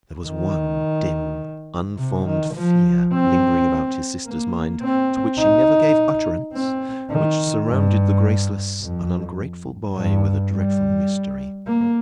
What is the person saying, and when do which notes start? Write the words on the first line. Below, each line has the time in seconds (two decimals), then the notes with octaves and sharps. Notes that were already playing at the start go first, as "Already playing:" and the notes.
There was one dim unformed fear lingering about his sister’s mind, to which she never gave utterance, which surrounded the graceless and ungrateful boy with a dreadful mystery.
0.27 D#3
1.98 C3
2.25 D#3
2.55 F3
3.12 C4
4.26 A#3
4.82 C4
5.39 D#4
6.53 C4
7.11 D#3
7.67 G2
8.82 F2
9.95 G2
10.53 G3
11.67 A#3